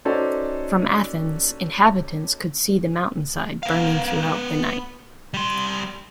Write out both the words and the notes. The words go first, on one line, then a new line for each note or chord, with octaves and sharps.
From Athens, inhabitants could see the mountainside burning throughout the night.
C#4 D#4 F#4 A4 C5 D5
B3 F5
G3 C6